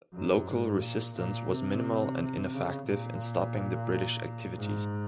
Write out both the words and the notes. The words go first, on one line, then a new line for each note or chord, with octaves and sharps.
Local resistance was minimal and ineffective in stopping the British activities.
F#2
G#2
A#2
A#2
C3
C#3
A#2
G#2